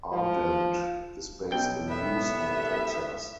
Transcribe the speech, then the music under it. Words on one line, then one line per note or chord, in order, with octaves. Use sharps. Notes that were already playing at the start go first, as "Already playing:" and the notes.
Ardent is based in Houston, Texas.
F3
B1 G5
C2 A2 B3 E5